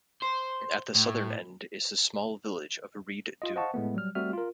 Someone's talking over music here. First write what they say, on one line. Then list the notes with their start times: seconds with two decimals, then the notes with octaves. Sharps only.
At the southern end is the small village of Rhyd Ddu.
0.22 C5
0.95 A2
3.42 F4 D#5
3.56 C5 D#5 F5 F#5 A5 C#6
3.74 A2 G#3 A3 B3
3.94 F#3 G3 F6
4.15 G3 A3 C4 F#4 E5 F6
4.33 F4 A#4